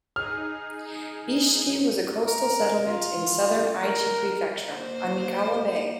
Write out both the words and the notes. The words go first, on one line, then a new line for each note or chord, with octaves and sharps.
Isshiki was a coastal settlement in southern Aichi Prefecture, on Mikawa Bay.
D#4 G#4 F6
A#4
F4
A#4
A#3 C5